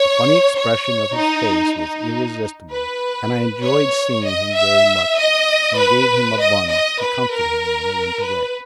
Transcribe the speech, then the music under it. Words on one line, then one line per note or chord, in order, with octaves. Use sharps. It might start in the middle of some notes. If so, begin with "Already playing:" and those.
The funny expression of his face was irresistible, and I enjoyed seeing him very much, and gave him a bun to comfort him when I went away.
Already playing: C#5
C#5
D#4
D#4
B4
C#5
D#5
E5
D#5
B4
D#5
D#5
B4
A#4
B4